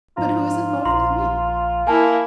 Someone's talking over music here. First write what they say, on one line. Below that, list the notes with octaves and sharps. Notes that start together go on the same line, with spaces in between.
But who is in love with me?
G#2 F3 F4 A#5
A#1 F3 A#5 C6
A#3 E4 G#5 A5